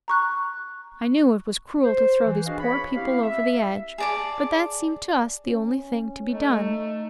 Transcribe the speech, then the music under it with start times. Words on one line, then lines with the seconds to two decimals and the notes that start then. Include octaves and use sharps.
"I knew it was cruel to throw these poor people over the edge, but that seemed to us the only thing to be done."
0.08 A#5 C#6 F#6
1.84 C5
2.24 E3
2.45 D4 F#4 G#4 D#5 F5
2.60 C#5 B5
2.96 C4 E4 G4 F5
3.22 E5
3.98 G#4 D5 A5
5.46 C#4
6.32 A3 D#4